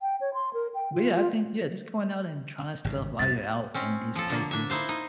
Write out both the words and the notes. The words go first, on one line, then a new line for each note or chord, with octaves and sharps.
but yeah, I think yeah, just going out and trying stuff while you're out in these places
G5
C#5
C6
A#4
G5
F4
F4
G#1 G2 C3
C2 F#2 A2 A6
C4 C#4
F3 A4
D3 A#3
D4 E5
D#4 E4 C5 F5
D#4